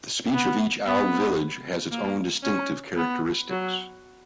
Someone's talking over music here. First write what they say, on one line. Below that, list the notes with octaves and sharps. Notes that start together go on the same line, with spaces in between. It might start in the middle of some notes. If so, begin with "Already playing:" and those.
The speech of each Ao village has its own distinctive characteristics.
B3
B3
A#3
C#4
B3
F#3